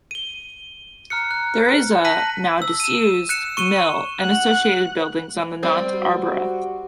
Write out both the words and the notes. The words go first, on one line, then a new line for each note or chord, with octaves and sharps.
There is a, now disused, mill and associated buildings on the Nant Arberth.
D#7 G7
A#5 F6 F#6 C#7
F#6
A5 F#6 A#6 B6 D#7 F#7
E6
D#7 E7
F#6 C#7 E7
C#6 D#7 G7
F#5 F#6
G3 C4
F#4